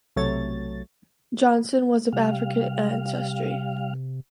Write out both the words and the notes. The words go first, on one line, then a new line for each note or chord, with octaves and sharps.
Johnson was of African ancestry.
B1 C3 F#3 A3 C#5 A6
C3 G3 F5